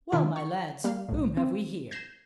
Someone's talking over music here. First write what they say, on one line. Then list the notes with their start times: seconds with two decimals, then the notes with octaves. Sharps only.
"Well, my lads, whom have we here?"
0.12 C3 D#3 D4 E4 F4
0.36 C#6
0.84 G3 A#3 F5
1.09 B1 A2
1.37 C4
1.91 G6 G#6 A#6 C7 E7